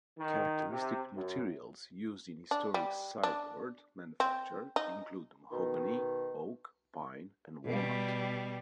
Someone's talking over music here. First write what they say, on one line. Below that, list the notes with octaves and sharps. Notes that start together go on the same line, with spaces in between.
Characteristic materials used in historic sideboard manufacture include mahogany, oak, pine, and walnut.
D#3
C3
F#2
D4
G3
D4
C4
D#4
B2 D#3
B2 G3